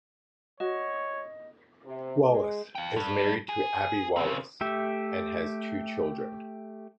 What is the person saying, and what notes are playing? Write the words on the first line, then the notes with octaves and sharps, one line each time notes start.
Wallis is married to Abbi Wallis and has two children.
F#4 C#5 D#5
C3
G#3
F5 G5
G2
G#4
C#3 C4
A3 G4 E5